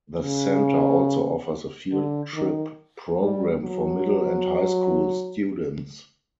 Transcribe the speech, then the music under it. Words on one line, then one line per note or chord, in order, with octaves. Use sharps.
The center also offers a field trip program for middle and high school students.
C#3
D3
D#3
G3
F#3